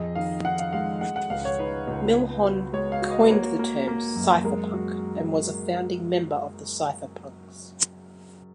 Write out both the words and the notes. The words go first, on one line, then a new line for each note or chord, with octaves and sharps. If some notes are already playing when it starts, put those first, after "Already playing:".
Milhon coined the term cypherpunk and was a founding member of the cypherpunks.
Already playing: F2 G#4 D#5
D#3 F5
D#3 F#5
F5
G#3 F5
G#3 F#5
F#5
C#2 F5
C#5
D#4 B4
C#2
B3
F#4
G#3 C#5
F5
F#4
D#5
B4
A#3 C#5
A#3
A#3
F#2
G#3 A#4
F#4